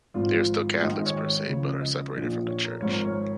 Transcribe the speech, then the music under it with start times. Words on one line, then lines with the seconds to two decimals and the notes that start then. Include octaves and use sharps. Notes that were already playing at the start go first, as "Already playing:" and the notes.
They are still Catholics per se, but are separated from the Church.
0.14 G#1 G#2 F3 F4
0.74 F4
0.81 G#1 G#2 D#3 D#4
0.90 F4
0.97 G#4
1.06 C#5
1.47 C#2 C#3 F3
1.81 D#5
2.14 A#1 A#2 F3
2.47 C#5
2.64 A#4
2.80 G#1 G#2 F3 C#5
2.92 A#4
3.04 C#5